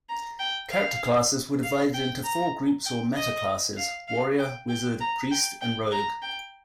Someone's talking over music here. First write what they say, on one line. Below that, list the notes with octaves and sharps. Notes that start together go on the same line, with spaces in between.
Character classes were divided into four groups or "metaclasses": Warrior, Wizard, Priest, and Rogue.
A#5
G5
F5
F5
G5
A#5
G5
D#5
F5
F5
G5
G5
A#5
G5
G5
A#5
G5